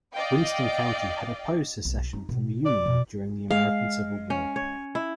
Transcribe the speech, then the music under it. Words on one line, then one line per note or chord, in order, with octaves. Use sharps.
Winston County had opposed secession from the Union during the American Civil War.
D5 D#5 F5 G5
B1
D#4
B2
D5
B2
G#3 F5
C#4
C#5
E4